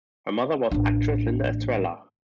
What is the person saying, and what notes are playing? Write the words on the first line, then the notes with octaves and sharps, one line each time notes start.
Her mother was actress Linda Estrella.
A1 D4